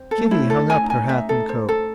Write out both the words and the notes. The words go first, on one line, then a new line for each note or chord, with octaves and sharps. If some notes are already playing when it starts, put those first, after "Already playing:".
Kitty hung up her hat and coat.
Already playing: C4
A4
A3
C4 E4
C#4
A4
E4 G#5
D#4
G#5
C#4
D#4 E5
A4
C5
A4